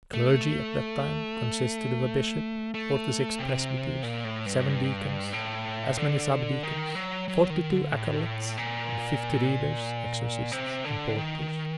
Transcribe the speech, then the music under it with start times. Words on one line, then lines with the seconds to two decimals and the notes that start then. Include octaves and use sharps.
The clergy, at that time, consisted of a bishop, forty-six presbyters, seven deacons, as many sub-deacons, forty-two acolythes, and fifty readers, exorcists, and porters.
0.14 A3
2.74 A3
3.39 C3
4.03 A#2
4.24 A2
4.46 G2
5.33 A2
5.98 D3
6.63 D#3
6.95 F#3
7.28 F#3
7.50 D#3
7.71 D3
7.92 A2
8.57 A#2
10.52 C3
10.85 D3
11.17 D#3